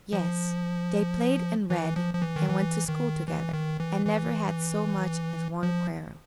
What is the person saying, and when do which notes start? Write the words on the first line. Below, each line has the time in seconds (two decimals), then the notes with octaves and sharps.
Yes, they played and read and went to school together, and never had so much as one quarrel.
0.13 F3
1.70 E3
1.96 F3
2.14 F3
2.22 E3
2.36 D#3
2.49 E3
2.89 D#3
3.28 E3
3.53 D#3
3.80 E3
4.06 E3
5.63 F3